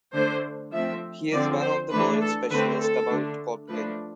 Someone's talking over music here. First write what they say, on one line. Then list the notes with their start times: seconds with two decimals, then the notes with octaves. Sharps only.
He is one of the world specialists about Coptic.
0.13 D3 A3 D4 C5
0.72 F3 A3 C4 E5
1.32 D3 F3 C4 D5
1.61 C5
1.91 E3 A3 D4 B4
2.20 A4
2.50 D3 A3 C4 B4
2.80 A4
3.09 D3 A3 D4
3.69 F3 A3 D4 B4